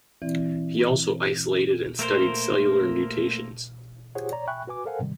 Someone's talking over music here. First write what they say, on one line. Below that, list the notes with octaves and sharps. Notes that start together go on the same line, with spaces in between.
He also isolated and studied cellular mutations.
E3 C4 E4 D5
A3 A#3 A#4 C5
F4 G4 G#4 C5 C#5 F#5
C#5 D5 A#5
E5 G5 G#5 B5 C#6 F#6
F#4 B4 G#5 D6
A4 A#4 C5 F5 F#5 G#5
G#2 C3 D#3 G3